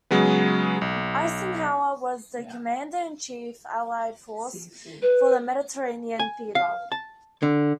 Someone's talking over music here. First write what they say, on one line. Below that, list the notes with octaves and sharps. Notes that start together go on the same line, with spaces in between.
Eisenhower was the Commander-in-Chief, Allied Force for the Mediterranean theatre.
C#3 F#3 G#3 B3
B1
B4
G#5
F5
A5
D3